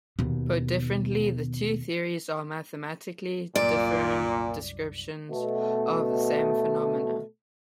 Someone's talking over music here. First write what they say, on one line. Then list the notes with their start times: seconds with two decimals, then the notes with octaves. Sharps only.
Put differently, the two theories are mathematically different descriptions of the same phenomena.
0.19 D#2 B2
3.55 C2 F#2 A#2 D5
5.31 B2 A3